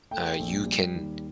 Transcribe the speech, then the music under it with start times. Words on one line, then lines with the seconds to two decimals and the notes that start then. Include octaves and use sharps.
uh, you can,
0.11 A3 G5
0.39 A#1
0.66 G3
0.94 D#2